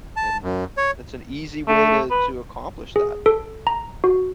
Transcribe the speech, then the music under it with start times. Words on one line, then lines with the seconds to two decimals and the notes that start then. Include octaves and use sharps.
and that's an easy way to to accomplish that.
0.16 A5
0.43 F#2
0.77 C#5
1.67 A3
2.10 B4
2.96 G#4
3.26 A4
3.67 A#5
4.04 F#4